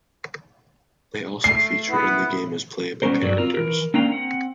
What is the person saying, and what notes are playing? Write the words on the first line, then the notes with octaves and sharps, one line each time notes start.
They also feature in the game as playable characters.
A3 C7
B3 E4
G3 B3 C#4 A#4 C5
G2 F#3 D5
C4 F4 A#4
E3 A#4
A#3 C#4 D4 F5 G5 A#5
C4 F#5